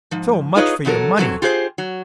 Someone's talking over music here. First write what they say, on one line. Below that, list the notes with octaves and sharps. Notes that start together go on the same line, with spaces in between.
So much for your money!
G#2 F3
D#4 F4 G#4 B4 C#5 D#5
E2 B2 F#3 A4 A#4
B2 F#3 C4
F4 G4 G#4 A#4 C5
F#3